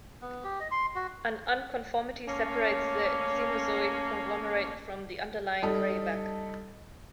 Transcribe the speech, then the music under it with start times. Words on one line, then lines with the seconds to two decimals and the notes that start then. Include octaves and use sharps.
An unconformity separates the Cenozoic conglomerate from the underlying graywacke.
0.21 B3
0.44 G4
0.60 D#5
0.71 C6
0.95 F#4
2.27 A3 A#3 C#4
5.62 G3 D#4 A4